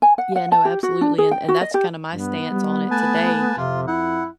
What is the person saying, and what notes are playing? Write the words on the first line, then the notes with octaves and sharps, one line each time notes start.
Yeah, no, absolutely, and and that's kind of my stance on it today,
G#5
F#5
F#5
A5
G4
F#4
D4
G#4
G5
F#4
D#5
G4
G2 B3
G3
A3 B4 G#5 A5
F2 C3 F4
E4 F#5